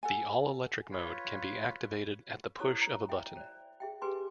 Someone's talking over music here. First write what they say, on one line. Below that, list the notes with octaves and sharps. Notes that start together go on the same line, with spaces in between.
The all-electric mode can be activated at the push of a button.
A4 F#5 G#5
F4 B4 C#5
E4 A4 C5 C#5 C#6 E6
A#5
E5 G5 G#5
C5 D5
G#4 E5 G5
G4 G#4 B4 G#5 C6 D6